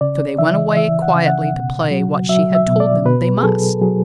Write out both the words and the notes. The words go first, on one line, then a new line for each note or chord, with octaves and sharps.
So they went away quietly to play what she had told them they must.
C#3 D5
E3 E5
E3 E5
F#5
C#3
F#5
B2
F#3
F#3 E5
E5
B2
D5
B2 B4
G#4
F#3 A4
F#3 G#4